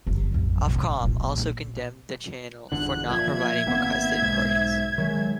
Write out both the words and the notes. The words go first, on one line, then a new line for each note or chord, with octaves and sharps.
Ofcom also condemned the channel for not providing requested recordings.
G1 F2
A1 F2
B1
E2 A2
A#1 A#2
G1 E2 D3 F#6
A#2 F3 E5 G#6
G#1 A#3 B3
B1 G#2
D#3 F#3 G#3